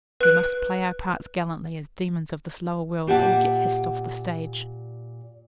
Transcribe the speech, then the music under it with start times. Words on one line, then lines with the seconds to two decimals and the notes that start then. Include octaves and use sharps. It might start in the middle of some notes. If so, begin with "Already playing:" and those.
We must play our parts gallantly, as demons of this lower world, or get hissed off the stage.'
0.21 B4 F#6
3.07 A#2 G4 E5 F#5 A5